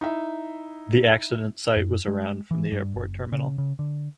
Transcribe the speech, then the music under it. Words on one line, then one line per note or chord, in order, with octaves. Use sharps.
The accident site was around from the airport terminal.
D#4 E4 E5
F#2
G#3
E3
G2
F#1
C#3
C#3
D3